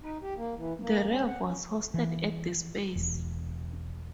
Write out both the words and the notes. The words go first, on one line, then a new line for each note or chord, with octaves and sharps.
The rave was hosted at The SpacE!
D#4
G4
A#3
E3
A#3
C#4
F#5
C#4
E3
E1